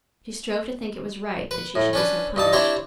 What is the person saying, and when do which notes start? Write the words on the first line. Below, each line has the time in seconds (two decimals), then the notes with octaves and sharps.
She strove to think it was right that she should be so punished.
1.51 B4
1.75 A2
1.93 C#4 D4 B4
2.36 G2 D#4 A5
2.53 C4 D4 E4 G4 C#5